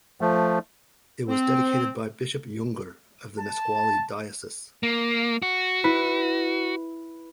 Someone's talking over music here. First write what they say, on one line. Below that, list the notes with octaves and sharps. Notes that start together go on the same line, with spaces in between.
It was dedicated by Bishop Junger of Nesqually Diocese.
F3 A3
C4
A5
A#3
F#4
E4 B4